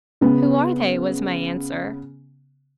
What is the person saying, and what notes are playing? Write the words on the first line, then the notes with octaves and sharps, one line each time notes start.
"Who are they?" was my answer.
C#3 B3